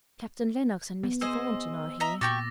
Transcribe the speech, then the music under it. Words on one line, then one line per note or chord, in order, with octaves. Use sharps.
Captain Lennox and Mr. Thornton are here.
B3
G#4 C5 D#5 E6
D#5 E5 A#5
A#2 F#4 G4 C#6 D6 A6 A#6